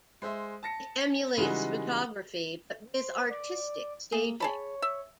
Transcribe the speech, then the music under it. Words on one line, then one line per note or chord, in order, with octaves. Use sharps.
It emulates photography, but with artistic staging.
G#3 C5 E5
A5 A#6 C#7
C#3 E3 G3 G#3 D#4 F#4
C5
D5
A#3 G#4
G#4 C#5 A5 B5
E5